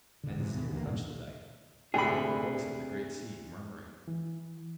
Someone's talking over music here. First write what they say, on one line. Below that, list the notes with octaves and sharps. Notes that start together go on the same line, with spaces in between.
As his ear touched the dike, he heard the voice of the great sea, murmuring.
E1 D3
G#2 C3 E3
D#2 B2
D2 E3 A#3
B1 G2 A#2 C#3
D2 C3 G#4 B5
E3